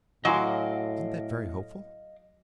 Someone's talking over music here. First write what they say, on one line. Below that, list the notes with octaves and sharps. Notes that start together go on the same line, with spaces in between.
"Isn't that very hopeful?"
A2 F#3 F#4 D#5 F5 G#5 D6 D#6